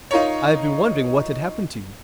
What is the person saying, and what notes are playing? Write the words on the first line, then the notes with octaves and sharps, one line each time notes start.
I have been wondering what had happened to you.
D#4 F4 A#4 C#5